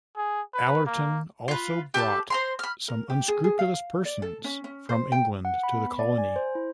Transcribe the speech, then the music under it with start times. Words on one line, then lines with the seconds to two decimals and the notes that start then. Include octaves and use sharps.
Allerton also brought some unscrupulous persons from England to the colony.
0.16 G#4
0.54 B4
0.86 A#3
1.48 F4 B4
1.94 G4 A4 B4 A5
2.30 C5 A#5 C6
2.59 B5 F6
2.88 A#4
3.10 G4
3.28 G#4
3.44 G#4
3.59 F5
4.05 D5
4.22 A4
4.44 C#4
4.64 C#4
4.89 C5
5.12 G5
5.45 F#5
5.63 B5
5.75 B3
5.99 D5
6.18 G#5
6.36 C5
6.55 E4